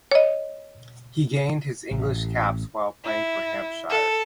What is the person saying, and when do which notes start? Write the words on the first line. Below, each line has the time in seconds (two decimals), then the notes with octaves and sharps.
He gained his England caps while playing for Hampshire.
0.11 C#5 D#5
1.91 A1
3.05 E4
3.89 A4